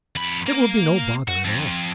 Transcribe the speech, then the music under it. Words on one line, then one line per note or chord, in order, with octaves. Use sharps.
"It will be no bother at all."
F2 B5
A#3
F#4
F2